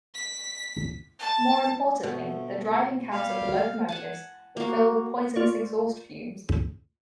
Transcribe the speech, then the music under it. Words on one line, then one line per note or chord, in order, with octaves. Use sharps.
More importantly, the driving cabs of the locomotives would fill with poisonous exhaust fumes.
B6
A5
D2 B2 F3 A3
G3 F5
F#5 G#5 A5
A#3 F#4
F4 D5 C#6